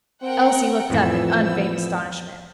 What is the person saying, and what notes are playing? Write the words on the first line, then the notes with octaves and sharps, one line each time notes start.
Elsie looked up in unfeigned astonishment.
C4 A#4 F#5 G5
F2 A2 E3 F3 B3 E6